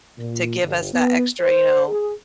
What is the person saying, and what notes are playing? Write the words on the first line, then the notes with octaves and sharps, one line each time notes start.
to give us that extra, you know,
A#2
G1
B3
C5
G#4